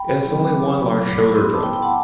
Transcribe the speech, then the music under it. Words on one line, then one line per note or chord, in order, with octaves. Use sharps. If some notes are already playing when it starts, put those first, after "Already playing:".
It has only one large shoulder drone.
Already playing: G5 B5
F#3 C4 E4
B5 D6
F#3 A3 E4
B5 D6
B3 E4 C6 E6
B5 D6
A5 C6
G5 B5
G5 B5
F#5 A5